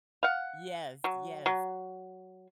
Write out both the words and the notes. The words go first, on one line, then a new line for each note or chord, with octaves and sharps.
Yes. Yes.
F5 F#5
F#3
F#3